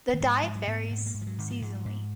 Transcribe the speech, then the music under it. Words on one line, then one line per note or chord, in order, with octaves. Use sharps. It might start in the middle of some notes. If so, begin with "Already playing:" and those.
The diet varies seasonally.
D#3
G#2 F3
G#2 F3
F#3
G#2 B3
G#2 A#3
B3
A#3
G#2
F3
F#3
G#2 D#3
F3
G#2
G#2